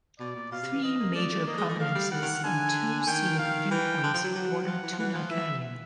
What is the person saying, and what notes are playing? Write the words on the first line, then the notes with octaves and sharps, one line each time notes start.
Three major prominences and two scenic viewpoints border Tuna Canyon.
B2 D5
A#2
B2 F5
C3
E3
E3 D#5
A#3
A3 D5
A3
A#3 D#5
G#3
A3
A3 F5
G3
G3 F#5
D#3
D#3
D3 G#5
D#3 G5
F5
E3 G5
D3
F3
F#3
F#3 F#5
F3
E3
F3
E3
F3
E3 E5